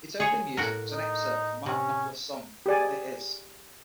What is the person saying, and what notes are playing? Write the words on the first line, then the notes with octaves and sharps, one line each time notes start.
Its opening music was an excerpt from Mark Knopfler's song What It Is.
G#4 C#5
A2 F#4 A#4
D#4
C3 C#4
G4 G#4 D5 G#5